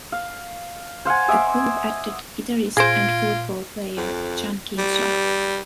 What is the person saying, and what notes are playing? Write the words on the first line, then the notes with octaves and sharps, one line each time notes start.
The group added guitarist and football player Chan Kinchla.
F5
C5 F5 F#5 G#5
D#5 E5 G#5 D6
A#2 F4 G#4 C5 G#6 A#6 D7
F2
G3